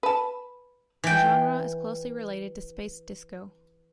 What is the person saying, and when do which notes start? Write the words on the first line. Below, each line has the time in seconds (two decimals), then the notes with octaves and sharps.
The genre is closely related to space disco.
0.03 B4 A5
1.04 E3 G5